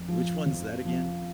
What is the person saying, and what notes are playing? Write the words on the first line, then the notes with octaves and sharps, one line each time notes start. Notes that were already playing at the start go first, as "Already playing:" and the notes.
Which one's that again?
Already playing: F2
F3
F2
F3